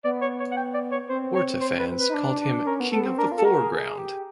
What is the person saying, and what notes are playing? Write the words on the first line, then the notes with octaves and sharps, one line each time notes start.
Warta fans called him "King of the foreground".
B3 D5
C#5
C#5
F#5
G5
D5
C#5
C4 C5
C#5
C5
B4
B4
D#4
D4
D4
C#4 A#4
B3
B3 A4
C4
D4 A#4
F4
A4
F#4 A#4
G#4
G#4
G4